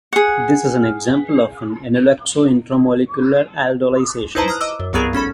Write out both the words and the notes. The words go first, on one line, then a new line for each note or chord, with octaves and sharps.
This is an example of an enolexo intramolecular aldolization.
G#4 F#5
D#4 E4 B4 C5 A5 A#5
A#5 D#6 F6 F#6
D#5 D6 E6
F#2
C2 G2 F#3 B3 G#4 A#4
G#1 C#4 A4 B5